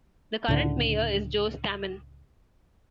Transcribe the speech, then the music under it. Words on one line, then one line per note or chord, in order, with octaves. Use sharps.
The current mayor is Joe Stammen.
C#2 A2 D3